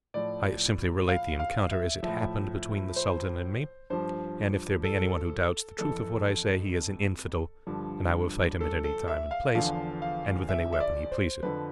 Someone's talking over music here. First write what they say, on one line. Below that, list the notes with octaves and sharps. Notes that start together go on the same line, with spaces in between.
I simply relate the encounter as it happened between the Sultan and me; and if there be any one who doubts the truth of what I say, he is an infidel, and I will fight him at any time and place, and with any weapon he pleases.
A2 F3 D5
F5
F5
E5
A2 F3 E5
C5
G2 F3 C5
A4
F2 E3 A4
G2 D3 F3
A4
A4
E5
F5
E2 D3 F3 F5
F5
E5
E5
D5
C5
F2 D3 F3 B4